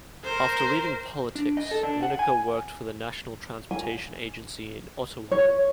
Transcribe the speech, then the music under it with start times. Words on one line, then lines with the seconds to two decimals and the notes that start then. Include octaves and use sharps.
After leaving politics, Minaker worked for the National Transportation Agency in Ottawa.
0.24 A#4 C5
1.35 D4
1.57 D#5
1.71 A4
1.83 D4
2.03 F#5
2.19 G#5
3.71 G#5
5.31 C#5